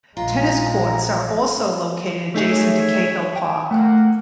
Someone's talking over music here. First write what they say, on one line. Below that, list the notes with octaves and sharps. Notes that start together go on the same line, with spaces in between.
Tennis courts are also located adjacent to Cahill Park.
A#1 G#3 F4 A#5
A3 D#4 G#4 C#5 E5
G5
A3 A#3 A#4 F#5